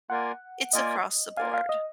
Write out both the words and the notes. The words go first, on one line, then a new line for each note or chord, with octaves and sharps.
it's across the board.
A#3 F4 A#4 D5 F#5 G#5
A#3 F4 A#4 D5 D#5 G#5
A#3 F4 A#4 D5 F5 G#5
F5
D#5